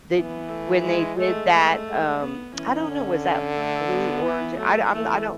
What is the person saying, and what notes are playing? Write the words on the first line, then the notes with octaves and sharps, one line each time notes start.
Did when they did that, um I don't know, was that Blue Orig I I'm I don't
E3 B3
A3
G#3
G#3 A3
A3
G#3
B3
E3 C#4
D3
A3
B3
E3
F#3 A3
E3 A3